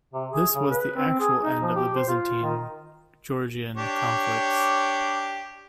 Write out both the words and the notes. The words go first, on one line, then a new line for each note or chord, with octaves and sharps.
This was the actual end of the Byzantine-Georgian conflicts.
C3
G#4
C#3
B4
C4
G#4
D#4
F3
G4
C5
F4
D#3
D4 G4 C#5